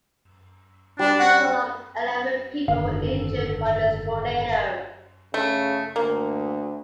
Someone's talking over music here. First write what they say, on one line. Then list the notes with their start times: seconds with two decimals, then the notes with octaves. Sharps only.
A total of eleven people were injured by this tornado.
0.99 G3 D4
1.19 F#4 F#5
2.68 F#1 G#2 D3 D#3 A4 F5
5.34 C#3 A3
5.96 D2 A#3